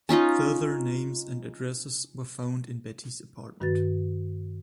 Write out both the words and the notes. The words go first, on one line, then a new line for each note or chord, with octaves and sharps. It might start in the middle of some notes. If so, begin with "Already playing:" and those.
Further names and addresses were found in Betty's apartment.
C#4 D#4 F4 D#5
G2 D#3 F#4 B4 A6